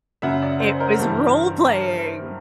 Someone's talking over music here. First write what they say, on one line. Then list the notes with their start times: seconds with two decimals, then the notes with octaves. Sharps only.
It was role playing.
0.22 F#2 C#3 F#3 E5 F#5
0.42 D5 E5
0.60 C5 D5
0.80 A#4 C5
0.99 G2 E3 G3